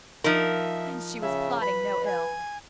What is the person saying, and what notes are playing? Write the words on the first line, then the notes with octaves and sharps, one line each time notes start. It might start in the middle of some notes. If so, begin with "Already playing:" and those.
And she was plotting no ill.
F3 D#4 A#4 E5
C#3 E5
B4 B5
G#5